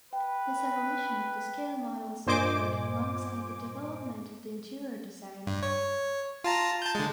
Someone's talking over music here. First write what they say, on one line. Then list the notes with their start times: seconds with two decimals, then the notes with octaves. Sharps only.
This evolution of the scale models occurred alongside the development of the interior design.
0.13 B4 G5
2.26 G2 A#2 C5 D#5 G#5 D6
5.47 G2
5.63 C#5
6.44 F4 A5 A#5
6.82 A5 G6
6.95 D3 G#3